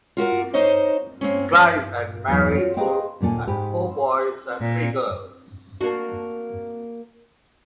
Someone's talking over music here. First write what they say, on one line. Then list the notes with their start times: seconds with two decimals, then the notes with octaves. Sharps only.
Clive and Marie Uhr had four boys and three girls.
0.17 F4 F#4 A#4 F#5
0.53 D#4 C5 C#5 D#5 F5
1.21 A#3 C4 C#4
1.53 C#4
2.28 E2 F#3 D#4
2.55 F4 F#4 C#5
2.77 G#4 B4 D#5 F5 G5
3.21 D#2 A#2 A#3 A4 G#5
3.47 G#2 G4 B4
4.59 A#2
5.81 A#3 D4 F#4